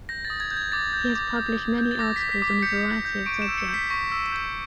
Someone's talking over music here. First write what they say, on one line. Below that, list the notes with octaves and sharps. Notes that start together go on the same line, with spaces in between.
He has published many articles on a variety of subjects.
G6 A#6
A6
D#6
G#6
G6
G#6
D6 A6
G6
D6
G6
D6
G6
A6
D6 A#6
G6 B6
B6
D6
B6
G6 C#7
D6
G6
C#6 D7
E7
E6
C#7
G6
B6
C#6 A#6
E6
G6